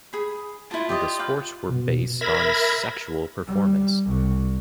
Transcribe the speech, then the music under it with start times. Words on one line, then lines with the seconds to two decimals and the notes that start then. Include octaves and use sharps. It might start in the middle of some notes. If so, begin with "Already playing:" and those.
The sports were based on sexual performance.
0.13 G#4 B5
0.71 E4 F4 A5
0.89 G4 D5 D#5
1.19 B4 F5 G5
1.69 B2
2.21 A#4 E5 B5 G#6 A#6
3.47 G3
4.05 C2